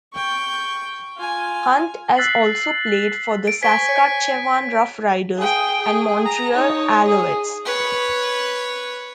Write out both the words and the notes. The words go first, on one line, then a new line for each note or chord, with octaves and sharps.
Hunt has also played for the Saskatchewan Roughriders and Montreal Alouettes.
G5 C#6
F4 G#5
E6 F#6 A6 B6 C7 F#7
D7
C5 G#5 C#6 B6 G7
C#5
G#4 G5
G#4
A#5
D#4 C#5
G#4
B4 C#5